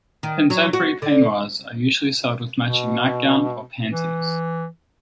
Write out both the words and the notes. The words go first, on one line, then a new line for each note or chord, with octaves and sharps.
Contemporary peignoirs are usually sold with matching nightgown or panties.
D#3
F#3
F#4
D3
B2
E3